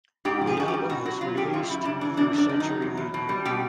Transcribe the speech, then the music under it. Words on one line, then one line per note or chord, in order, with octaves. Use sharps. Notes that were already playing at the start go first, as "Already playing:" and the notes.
The album was released through Century Media.
G#2 G4
F3
G#4
F3 F#4
G4
G#2
B2 F#4
F#3 F#4
F#3 F4
B2 G4
F#2 F4
G3 E4
C#3 D4
E3 D4
F#2 D4
F#2 D4
D#3
F#3 D#4
E2
E2
B2
G3
B2 G4